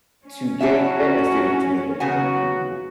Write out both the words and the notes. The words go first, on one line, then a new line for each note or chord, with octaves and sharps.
To get a student with an IEP,
C#4
F#3 D4 E4 F#4 E5
C#3 F#3 B3 F#4 F#5 G#5